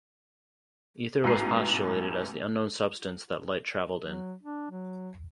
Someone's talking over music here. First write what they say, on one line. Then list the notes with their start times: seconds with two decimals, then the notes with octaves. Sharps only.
Ether was postulated as the unknown substance that light traveled in.
1.24 A1 G#2 B2 B4 A#5 C7
4.00 F#3
4.43 D4
4.71 F#3